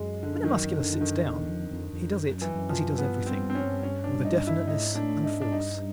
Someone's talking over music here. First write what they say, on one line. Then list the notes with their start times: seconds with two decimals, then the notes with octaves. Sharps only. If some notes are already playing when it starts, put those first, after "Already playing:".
When a Muscular sits down he does it as he does everything--with definiteness and force.
Already playing: F#2 G#3
0.23 D3
0.44 D#3
0.73 D3
0.93 D3
1.01 D#3
1.28 E2
1.50 F2
1.71 F2
1.93 F2
2.14 F#2
2.42 E3
2.55 F#2
2.70 F3
2.98 G2 B3
3.26 C4
3.50 C4
3.55 C#4
3.83 C#4
4.04 D4
4.25 D#4
4.47 E4
4.67 G#2 D#4
4.95 A2 D4
5.24 G#2 D#4
5.41 D4
5.52 G2 D#4